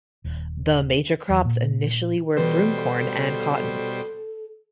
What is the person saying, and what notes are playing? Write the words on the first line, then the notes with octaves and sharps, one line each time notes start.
The major crops initially were broomcorn and cotton.
D#1
E2
A#2
B2 E3 G3 A4 C5